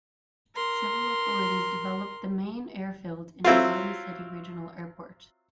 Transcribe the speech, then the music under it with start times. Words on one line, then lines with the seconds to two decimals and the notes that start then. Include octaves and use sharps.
Civil authorities developed the main airfield into Garden City Regional Airport.
0.56 A#4 C6
3.44 F#3 C4 E4 F4